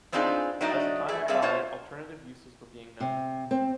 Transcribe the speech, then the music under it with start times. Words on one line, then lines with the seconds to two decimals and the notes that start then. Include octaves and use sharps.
As the time went by, alternative uses were being known.
0.12 B3 C4 D4 D#4 F4 G#4
0.61 F#3 A3 D4 D#4 D5 D#5
1.08 A3 E4 G#4
1.28 G3 C4 G#4 A4 E5 F5
1.42 A3 F4 C5 C#5
3.00 C3
3.51 C4